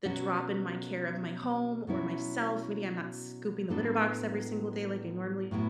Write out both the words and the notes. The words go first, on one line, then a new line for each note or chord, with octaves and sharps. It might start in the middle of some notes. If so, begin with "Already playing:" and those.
the drop in my care of my home or myself, maybe I'm not scooping the litter box every single day like I normally
B2 F#3 C#4 F#4
B2 F#3 C#4 E4
A2 F#3 B3 D4 A4
A2 F#3 B3 E4